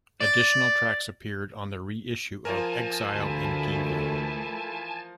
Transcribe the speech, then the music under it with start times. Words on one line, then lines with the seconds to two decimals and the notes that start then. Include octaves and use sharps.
Additional tracks appeared on the reissue of "Exile in Guyville".
0.21 D5
2.45 F3 A#4 G#5 A5
3.14 D2 E3 A3 E4